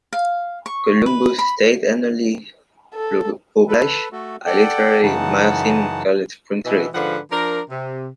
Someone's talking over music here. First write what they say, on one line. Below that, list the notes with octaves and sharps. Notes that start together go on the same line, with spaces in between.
Columbus State annually publishes a literary magazine called "Spring Street".
F5
C#6
B4
B5
A4
A4 B4
A3 F#4 A4
A4 D5 F#5 G5
F#2 C#3 E3 D#4 F#5 A5
B2 E3
G#2 D3 F3 B4 F#5
F3 D4 A#4
C3